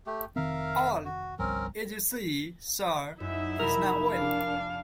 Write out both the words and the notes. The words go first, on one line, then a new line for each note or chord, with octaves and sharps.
All, as you see, sir, is now well.
A3 G4
F1 D#3 C4 A#4 E5 F5
F#4
G1 C2 F3 C4 C#4 A#4
F#2 D#4 E4 E5
F1 A#4 B5
D4 F5